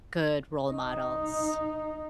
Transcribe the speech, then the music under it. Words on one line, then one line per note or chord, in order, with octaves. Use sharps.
good role models.
D#4